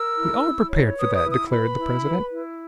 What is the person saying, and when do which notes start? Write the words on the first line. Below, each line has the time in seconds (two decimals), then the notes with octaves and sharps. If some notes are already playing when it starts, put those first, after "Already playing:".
"We are prepared for that," declared the president.
Already playing: A#4 E6
0.17 E4
0.44 E4
0.70 C#5
0.98 B4 D#6
1.15 D#6
1.24 E4
1.33 D#6
1.50 B4 B5
1.78 E4
2.04 B4
2.31 E4